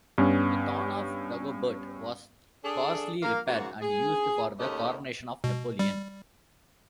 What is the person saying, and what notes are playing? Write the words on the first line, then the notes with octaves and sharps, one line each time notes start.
The "Throne of Dagobert" was coarsely repaired and used for the coronation of Napoleon.
G2 B3 C#4
D4 G#4 A4
A#3 F5
G#2 C#3 A#3 F#4
G#4
D#2 A3 C#4 G4 G#4 D#5
B2
G3